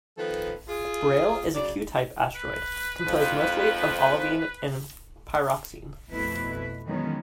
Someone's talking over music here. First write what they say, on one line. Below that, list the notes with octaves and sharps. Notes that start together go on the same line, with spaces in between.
Braille is a Q-type asteroid, composed mostly of olivine and pyroxene.
D#3 F3 B3 A4 B4
F4 G#4
C#3 F#3 D5
B4
F2 G#2 F3
F2 B2 A3 E4 B4 E5
D#3 E3 F#3 G#3 B3 C#4